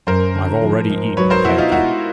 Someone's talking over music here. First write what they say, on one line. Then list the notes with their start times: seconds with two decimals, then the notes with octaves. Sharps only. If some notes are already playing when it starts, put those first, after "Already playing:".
"I've already eaten, thank you."
0.07 F#2 A#4 C5
0.35 D3
0.62 F3
0.89 G#2
1.17 F#3 B4 C#5
1.30 A#4 C5
1.45 B2 E4 F#4
1.58 D#4 F4
1.72 G#3 E4 F#4